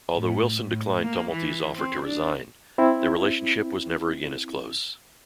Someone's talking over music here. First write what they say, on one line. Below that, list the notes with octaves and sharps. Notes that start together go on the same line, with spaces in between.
Although Wilson declined Tumulty's offer to resign, their relationship was never again as close.
A2
A2
A#3
E3
C4
D4
C4 E4